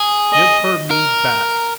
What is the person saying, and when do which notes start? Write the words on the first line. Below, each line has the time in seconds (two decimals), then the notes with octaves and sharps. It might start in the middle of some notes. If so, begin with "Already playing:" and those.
"Give her me back!"
Already playing: G#4
0.32 D#5
0.91 A#4